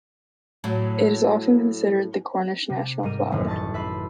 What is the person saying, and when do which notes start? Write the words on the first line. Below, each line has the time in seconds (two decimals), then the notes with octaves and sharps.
It is often considered the Cornish national flower.
0.64 A2 F#3
2.70 C3
3.03 G#2 G3 A#4 D#7
3.32 D#1 A1 F#2
3.48 A5 C#6 A6
3.74 B4 E5 B5 C6